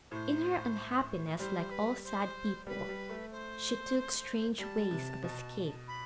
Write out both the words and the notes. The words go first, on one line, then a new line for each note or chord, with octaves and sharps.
In her unhappiness, like all sad people, she took strange ways of escape.
A2 C5
G3 C5
B4
C5
G3 B4
G3
A3
C5
G3 A5
C3
B2
B5